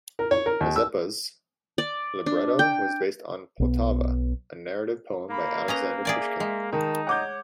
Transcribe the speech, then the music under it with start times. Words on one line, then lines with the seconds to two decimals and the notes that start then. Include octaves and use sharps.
"Mazeppa"'s libretto was based on "Poltava", a narrative poem by Alexander Pushkin.
0.19 A#4
0.31 C#5
0.46 A#4
0.61 D#2
0.76 E6
1.78 D5
2.26 D4
2.59 G5
3.60 B1 B3
5.31 A#3 B5
5.68 C#4 B4 D#5 A#5
6.05 G#4 D5 E5 G#5
6.40 G#3
6.72 D#3 D#4 A5
7.07 C#5 F#5 D6 G6